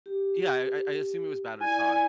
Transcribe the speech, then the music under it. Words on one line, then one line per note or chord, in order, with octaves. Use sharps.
Yeah, I I I assume it was battered cod.
G4
E4 D5 G#5